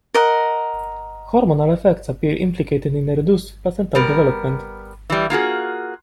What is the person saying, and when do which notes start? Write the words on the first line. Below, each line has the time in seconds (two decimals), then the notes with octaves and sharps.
Hormonal effects appear implicated in the reduced placental development.
0.14 A#4 D#5 F#5
3.95 G3 B3 A#4
5.10 E3 G3
5.30 A#3 F4 F#4 G#4